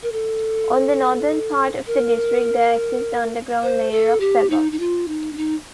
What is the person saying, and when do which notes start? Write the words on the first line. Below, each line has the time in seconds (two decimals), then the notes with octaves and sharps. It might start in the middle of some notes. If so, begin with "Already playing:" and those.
On the northern part of the district there exists underground layer of pebbles.
0.03 A#4
0.12 A4
1.87 A#4
3.63 C5
3.91 A4
4.20 G4
4.50 D#4
4.72 D#4
4.79 F4
5.08 D#4
5.33 D4
5.37 D#4